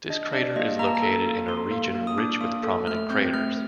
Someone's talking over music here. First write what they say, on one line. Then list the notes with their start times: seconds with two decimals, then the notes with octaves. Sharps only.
This crater is located in a region rich with prominent craters.
0.10 D4 D#5
0.33 D4 D5
0.56 A#3 D#5
0.79 A#3 A#5
0.87 A5
0.95 A#5
1.02 A4
1.26 A#3
1.48 A4 C6
1.71 A#3
1.95 A#3
2.07 D#6
2.18 D4 D6
2.41 A#3 D#6
2.64 A4
2.87 A3 F6
3.10 C4 G6
3.33 A3 F6